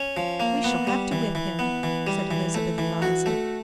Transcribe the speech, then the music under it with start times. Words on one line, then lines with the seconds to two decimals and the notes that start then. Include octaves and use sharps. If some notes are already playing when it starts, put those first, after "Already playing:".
"We shall have to whip him," said Elizabeth Eliza.
Already playing: C#4
0.17 F3
0.40 A#3
0.64 B3
0.87 G3
1.12 E3
1.35 E3
1.59 B3
1.83 E3
2.07 G3
2.31 E3
2.54 A3
2.78 E3
3.02 F#4
3.26 A3